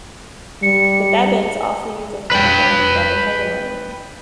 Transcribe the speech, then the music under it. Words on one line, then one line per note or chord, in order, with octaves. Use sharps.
The Thebans also used the term during the Theban hegemony.
G3 C#7
B4 G5